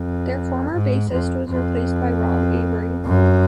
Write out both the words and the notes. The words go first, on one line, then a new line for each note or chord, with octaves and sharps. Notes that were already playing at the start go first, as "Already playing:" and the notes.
Their former bassist was replaced by Rob Avery.
Already playing: F2
G#2
F2
F2
F#2